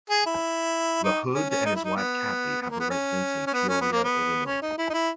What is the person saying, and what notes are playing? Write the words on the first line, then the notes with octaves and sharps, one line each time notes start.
LaHood and his wife Kathy have a residence in Peoria, Illinois.
G#4
E4
D#4
C#4
C#4
D#4
E4
D#4
B3
B3
A#3
B3
C#4
C#4
B3
C#4
B3
A#3
B3
C#4
D#4
E4
D#4
E4